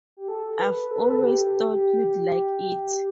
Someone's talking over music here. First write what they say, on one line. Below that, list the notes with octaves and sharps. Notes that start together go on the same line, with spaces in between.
I've always thought you'd like it.
G4
A4
B4
A4
B4
A4
G4
G4
G4